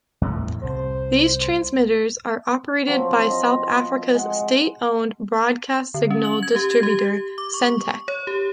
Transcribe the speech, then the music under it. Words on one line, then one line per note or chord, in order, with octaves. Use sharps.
These transmitters are operated by South Africa's state-owned broadcast signal distributor Sentech.
E2 A2 A3
C2 C5
F3 F#3 C4
F4 D#5
G#3 F#5
D3
C#4
F#7
G#6
G4
G#6
G4
D6
C#6
C#5
G4